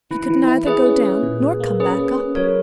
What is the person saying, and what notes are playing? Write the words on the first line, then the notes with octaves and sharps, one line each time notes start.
He could neither go down nor come back up.
E3 E4
E3
E4
E4 G#4 B4
C#4
C#4
A#2
A#2
A#3
C#4 G#4 B4
C#4
C#4
F#3 A#4 C#5